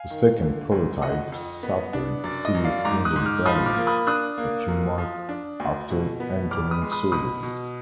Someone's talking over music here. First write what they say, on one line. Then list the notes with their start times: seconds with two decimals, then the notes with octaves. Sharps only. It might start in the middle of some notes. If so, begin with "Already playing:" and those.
The second prototype suffered a serious engine failure a few months after entering service.
Already playing: F5 G#5
0.10 D#3
0.42 D3
0.72 D2
1.02 F2 D#5 F#5
1.32 F2
1.63 B3
1.93 D4
2.24 F#2 D5
2.45 D#5
2.55 F#2
2.64 D5 F5
2.85 G#2 A#5 D6
3.05 D#6 F#6
3.16 G#2
3.26 D6 F6
3.45 F3 B5 D#6
3.66 D6 F6
3.76 A#3
3.87 B5 D#6
4.07 D4 D#6 F#6
4.38 A#3
4.68 F#2
4.98 F3
5.29 D4
5.60 D2
5.90 B2
6.20 B3
6.51 F2 D6 F6
6.71 B5 D#6
6.82 G#3
6.92 B5 D#6
7.12 B2 B5 D#6
7.43 B2